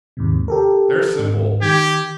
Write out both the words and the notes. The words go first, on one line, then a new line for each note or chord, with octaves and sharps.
They're simple.
D#2 G#2 C3
G4 A4 A#4
G#2
D#3 G4 G#6